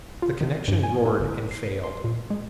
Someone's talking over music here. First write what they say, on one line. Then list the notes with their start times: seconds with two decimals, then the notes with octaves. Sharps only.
The connection roared and failed.
0.22 F4
0.41 D#3
0.68 G2
0.83 G#5
1.06 E4
1.19 G1
1.51 C7
1.84 C6
2.04 A#2
2.30 G#3